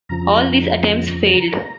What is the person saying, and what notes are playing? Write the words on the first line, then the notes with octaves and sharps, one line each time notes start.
All these attempts failed.
F2 C#3 F3 A#5